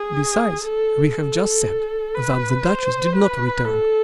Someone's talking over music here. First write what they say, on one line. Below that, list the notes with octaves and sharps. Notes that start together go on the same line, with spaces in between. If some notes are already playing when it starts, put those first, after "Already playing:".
Besides, we have just said that "the duchess" did not return.
Already playing: G#4
A4
A4
B4
C5
B4
A4